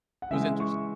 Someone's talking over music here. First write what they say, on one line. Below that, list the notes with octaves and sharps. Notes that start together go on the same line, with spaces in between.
It was interesting.
F#5
C#3 E3 G#3 E5
C#6